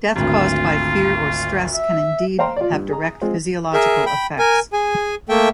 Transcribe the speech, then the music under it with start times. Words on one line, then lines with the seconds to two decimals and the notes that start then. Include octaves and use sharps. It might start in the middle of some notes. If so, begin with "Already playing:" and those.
Death caused by fear or stress can indeed have direct physiological effects.
0.16 G#1 D2 F4
1.75 E5
2.39 C5 F5 G5 A#5 C6
2.57 F4 D5
2.72 G2
2.89 G#4 A#5
3.21 G#3 C4 F4
3.73 G#4 A#4 E5
4.06 G5 B5
4.39 A#4 G#5
4.73 G#4 G#5
5.29 A3 A#3 A4 E5 G5